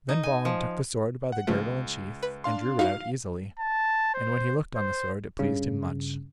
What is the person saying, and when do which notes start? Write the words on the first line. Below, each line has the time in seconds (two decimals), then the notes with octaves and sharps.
Then Balin took the sword by the girdle and sheath, and drew it out easily; and when he looked on the sword it pleased him much.
0.09 D#4
0.23 G#5
0.45 F3
1.32 F#5
1.47 C#2 C#3 F3 A3
2.23 B4
2.44 D4 F5 C6
2.79 D#4 E4 F#4 F5
3.60 A5
4.14 C5
4.76 C5
5.39 G2 C#3